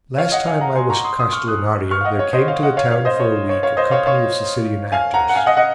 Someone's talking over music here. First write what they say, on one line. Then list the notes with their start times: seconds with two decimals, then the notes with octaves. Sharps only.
Last time I was at Castellinaria there came to the town for a week a company of Sicilian actors.
0.18 C#5 F5
0.32 D#5 F#5
0.47 F5 G#5
0.61 F#5 A#5
0.75 G#5 C6
0.90 A#5 C#6
1.04 C6 D#6
1.19 C6 D#6
1.32 C#6 F6
1.48 D#6 F#6
1.91 C#6 F6
2.01 F5
2.05 D#5 F#5
2.19 C#5
2.33 C5 D#5
2.48 C#5 F5
2.63 D#5 F#5
2.77 C#5 F5
2.91 C#5 F5
3.05 C5 D#5
3.20 C#5
3.49 C#5
3.63 C#5 F5
3.77 C5 D#5
3.91 C#5 F5
4.06 C#5 F5
4.92 F5 G#5
5.14 F#5 A#5
5.29 F#5
5.35 F5 G#5
5.46 D#5 F#5
5.57 D#5 F#5